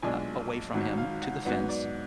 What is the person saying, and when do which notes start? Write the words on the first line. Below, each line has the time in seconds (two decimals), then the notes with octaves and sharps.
a away from him to the fence,
0.02 B1 A#2 G#3 D4 G#5
0.74 G#1 G#2 F#3 F#5
0.98 F5
1.22 F#5
1.45 G#2 F#3 B3 F#5
1.69 D5